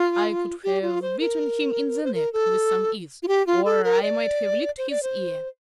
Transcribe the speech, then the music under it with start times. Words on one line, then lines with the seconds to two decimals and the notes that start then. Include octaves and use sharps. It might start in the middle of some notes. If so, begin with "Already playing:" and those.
I could have bitten him in the neck with some ease ... or I might have licked his ear.
Already playing: F4
0.64 G4
0.82 F4
1.02 C5
1.20 A#4
2.03 C5
2.14 A#4
2.33 A4
3.23 F4
3.28 G4
3.47 F4
3.65 A4
3.84 A#4
4.03 D5
4.78 C5
4.90 D5
5.03 C5